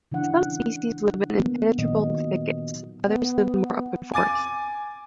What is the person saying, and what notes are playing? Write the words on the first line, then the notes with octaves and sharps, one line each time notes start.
Some species live in impenetrable thickets; others live in more open forest.
C#3 E3 D4 F#5
A#3 B3
A#2 D#3 F#3 D#5
B3
G#5 D6 A6 D#7